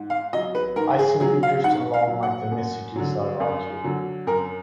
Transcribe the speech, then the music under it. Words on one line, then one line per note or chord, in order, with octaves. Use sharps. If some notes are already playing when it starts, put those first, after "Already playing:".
I simply drift along like the messages I write you.
Already playing: G#2
F5
F#3 D#5
B4
G#2 A#4
G#4
F#3 G#4
F5
G#2 F#5
F5
F#3
F#5
F#2
D3 F#3
F#2
D3 F#3
F#2 A#4